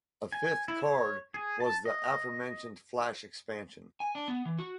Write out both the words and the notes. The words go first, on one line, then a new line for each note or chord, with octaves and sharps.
A fifth card was the aforementioned flash expansion.
G#5
E4
C#5
G#4
A5
D#5
G#5
D4
B3
E3
F#4